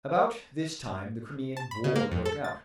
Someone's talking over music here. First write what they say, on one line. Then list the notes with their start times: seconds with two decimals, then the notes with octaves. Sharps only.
About this time the Crimean war broke out.
1.57 A5
1.71 B5
1.84 C#3
1.96 A#3
2.12 F2
2.25 A4
2.44 A6